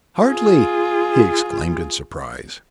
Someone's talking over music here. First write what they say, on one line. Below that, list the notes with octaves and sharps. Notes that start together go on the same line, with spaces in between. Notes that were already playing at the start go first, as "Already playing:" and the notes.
"Hartly!" he exclaimed, in surprise.
F4 G#4